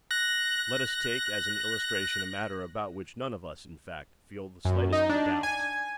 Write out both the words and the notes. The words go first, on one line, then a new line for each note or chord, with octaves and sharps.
Let us take as an illustration a matter about which none of us, in fact, feel the slightest doubt.
F#6 A#6
F#2
D#4
D4
G#5